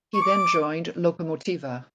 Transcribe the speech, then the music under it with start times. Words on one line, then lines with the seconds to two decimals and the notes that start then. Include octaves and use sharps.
He then joined Lokomotiva.
0.14 C#6
0.22 D6